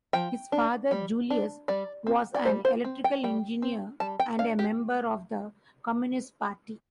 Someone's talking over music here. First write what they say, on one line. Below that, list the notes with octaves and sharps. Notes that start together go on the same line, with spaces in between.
His father Julius was an electrical engineer and a member of the Communist Party.
F3 G5
D4
G3
D4
G3 D5
C4
D5
G3 C5
C5
C4
G5
G3 G5
C4
G3 A5
G5
D4 F5
G4